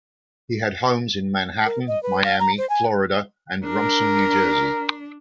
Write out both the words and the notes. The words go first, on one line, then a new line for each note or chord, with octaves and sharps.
He had homes in Manhattan, Miami, Florida and Rumson, New Jersey.
A#4
D#5
B4
F5
A#5
C5
G#5
D4 A#4